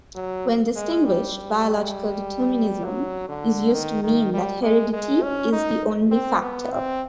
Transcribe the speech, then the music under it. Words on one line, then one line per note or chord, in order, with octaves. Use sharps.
When distinguished, biological determinism is used to mean that heredity is the only factor.
F#3
G#3
G3
F#3
D3
D#3
D#3
G3
G#3
G#3
C#4
D#4
C4
B3
C4